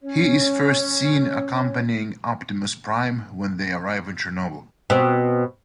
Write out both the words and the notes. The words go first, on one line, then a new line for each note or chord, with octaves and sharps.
He is first seen accompanying Optimus Prime when they arrive in Chernobyl.
C#4 C#5
B2 C4